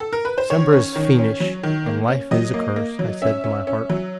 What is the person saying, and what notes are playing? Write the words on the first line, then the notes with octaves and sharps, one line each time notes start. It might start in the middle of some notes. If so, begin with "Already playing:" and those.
Summer is fiendish, and life is a curse, I said in my heart.
A4
A#4
B4
C5
D#3 C#5
C#4
D#3
C#4
F#3
D#3
A#3
C#4
F#3 D#5
A#3
A#3
F#3
C#4 E5
C#4
C#4
F#3